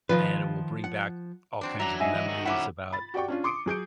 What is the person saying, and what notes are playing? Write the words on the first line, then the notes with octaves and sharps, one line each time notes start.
and it will bring back all kinds of memories about
D#3 F3 F4 B4
F#5
F#3 C4 D4
F#3 D4 E5 G#5 A#5
G#2 D#5 E5 G#5
E3 E4
D#3 F#4
C#4 E4 E5 F#5 D6
B5 A6
F#4 G4 D5 G5 C#6
C#4 D4 F4
C6 D6 D#6 C#7 D7
F#3 G#4 G6 D7